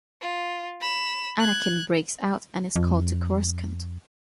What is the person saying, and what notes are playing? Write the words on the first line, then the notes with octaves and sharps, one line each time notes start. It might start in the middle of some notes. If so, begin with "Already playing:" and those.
Anakin breaks out, and is called to Coruscant.
F4
B5 E7
F#6 G#6
F2